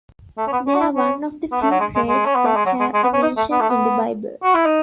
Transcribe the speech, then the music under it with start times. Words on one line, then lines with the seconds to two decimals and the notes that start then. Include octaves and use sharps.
They are one of the few trades that have a mention in the Bible.
0.38 A3
0.47 C#4
0.52 B3
0.67 C#4
0.75 F#4
0.80 E4
0.95 C#4
1.52 B3
1.61 A3
1.71 F#3
1.80 G#3
1.95 G#3
2.08 G#3
2.25 C#4
2.35 B3
2.46 A3
2.56 G#3
2.66 F#3
2.80 G#3
2.94 G#3
3.03 B3
3.13 C#4
3.22 D#4
3.37 A3
3.51 B3
3.61 A3
3.69 B3
4.43 F#4
4.55 E4
4.66 D#4